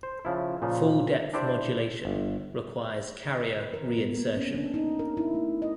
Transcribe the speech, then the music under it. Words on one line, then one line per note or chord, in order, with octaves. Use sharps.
Full depth modulation requires carrier re-insertion.
C5
C#3 F3 E4
A#2 C#3 F3
D4 E4 G4 C5 D5
G1
B4
A#4
B3
A#3
C#4
D4
D#4
A#4
E4
A3
D#5